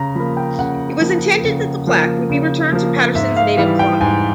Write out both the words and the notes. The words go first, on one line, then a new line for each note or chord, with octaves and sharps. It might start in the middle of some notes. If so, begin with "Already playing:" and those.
It was intended that the plaque would be returned to Patterson's native Clonmel.
Already playing: C#3 A#5
F3 A#3 B5
G5
C#3 F#5
F3 A#3
C#3
F3 A#3
C#3
F3 A#3
G#2 E5
F5
E3 G3 F5
G5
G#2 G#5